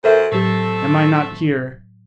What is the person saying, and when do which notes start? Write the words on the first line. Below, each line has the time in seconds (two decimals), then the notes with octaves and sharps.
Am I not here?
0.04 F#2 A4 A#4 C5 E5
0.32 A2 F#3 A3 C4 G4 A4